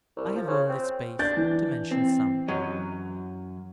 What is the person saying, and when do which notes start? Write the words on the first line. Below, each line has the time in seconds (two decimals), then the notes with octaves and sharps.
I have only space to mention some.
0.16 C2
0.35 F3
0.48 C#3
0.69 C4
1.19 D4 G6 A6
1.37 E3
1.91 C4
2.48 F#2 F#3 D#5